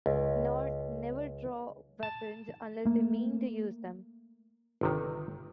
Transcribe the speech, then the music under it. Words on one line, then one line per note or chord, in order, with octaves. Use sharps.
Narn never draw weapons unless they mean to use them.
C#2
A5
A3 A#3
G1 C3 D#3